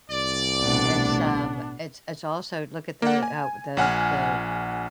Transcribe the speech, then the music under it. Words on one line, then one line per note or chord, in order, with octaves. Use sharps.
it's, um it's it's also look at the, uh, the the,
C2 D5
A1 B2 A3 B3 D4
A#3 F#5
G#5
A#1 F#5 G#5 F6